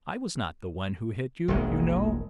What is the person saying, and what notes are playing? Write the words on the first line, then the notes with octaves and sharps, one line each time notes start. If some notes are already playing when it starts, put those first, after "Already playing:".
I was not the one who hit you, you know.
E1 A#1 G#3